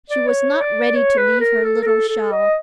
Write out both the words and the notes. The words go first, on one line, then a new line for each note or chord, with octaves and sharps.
She was not ready to leave her little shell.
D5
C#5
D5
C#5
B4
A#4
A4
A#4
A4
A4
D#5